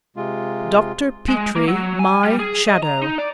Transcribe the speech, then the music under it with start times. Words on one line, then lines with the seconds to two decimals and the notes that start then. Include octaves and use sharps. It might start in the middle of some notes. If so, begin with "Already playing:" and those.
Dr. Petrie--my shadow...
0.16 C3 G#3 F4
1.29 G#3
1.56 A#3
1.68 F#3
1.99 G#5
2.23 G3
2.39 G#4
2.68 D#5
2.83 A#5
3.02 D#4
3.18 D5